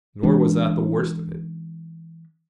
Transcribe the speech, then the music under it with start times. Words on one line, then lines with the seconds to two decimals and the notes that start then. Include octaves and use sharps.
Nor was that the worst of it.
0.23 E3 G#3 C#4 D4